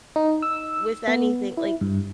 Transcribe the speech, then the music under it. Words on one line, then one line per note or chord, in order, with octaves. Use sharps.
with anything like,
D#4
E6
B3
E4
G2